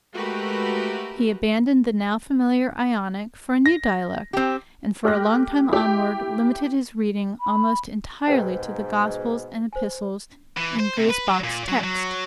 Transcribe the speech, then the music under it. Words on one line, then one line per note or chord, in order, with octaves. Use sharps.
He abandoned the now familiar Ionic for a new dialect, and for a long time onward limited his reading almost entirely to the Gospels and Epistles in Griesbach's text.
G#3 A3 F#4 G4 A#4 B4
A#6
C4 G4
A3 G4 F6 F#6 A#6
E4 G4
B5
G#2 B2 A#4 C5 G5
C5 G#5
E3
C5
C3
B4
F#3
A#2
F#3
F#3